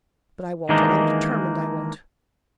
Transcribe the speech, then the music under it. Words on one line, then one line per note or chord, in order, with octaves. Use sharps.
But I won't . . . and I'm determined I won't.
D#3 E3 G#3 A#3 D4 D#4